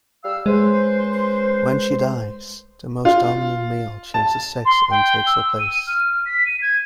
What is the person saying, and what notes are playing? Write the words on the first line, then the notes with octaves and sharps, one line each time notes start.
When she dies, the most dominant male changes sex and takes her place.
G3 F5 E6
G#3 C#4 B4 C5
F4
A5
C6
G5
E6
D#7
F6
B6
D#7
G#6